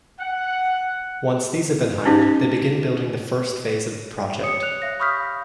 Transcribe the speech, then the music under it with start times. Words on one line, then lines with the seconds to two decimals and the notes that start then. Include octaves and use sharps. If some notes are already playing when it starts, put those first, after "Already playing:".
Once these have been hired, they begin building the first phase of the project.
0.19 F#5
2.05 C#4 D#4 G4
4.42 G4 C#5 D#6 C#7
4.63 F#6 F7
4.82 E5 F5 A#6
5.00 B5 C#6 D#6 F6 G6 B6
5.17 F5